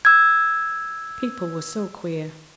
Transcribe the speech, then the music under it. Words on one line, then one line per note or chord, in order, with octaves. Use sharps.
People were so queer.
E6 G#6